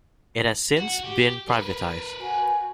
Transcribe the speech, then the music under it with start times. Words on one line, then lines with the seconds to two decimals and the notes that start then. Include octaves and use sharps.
It has since been privatized.
0.76 F#4
1.04 G4
1.48 A#4 B4
2.20 F#4 G#5 G6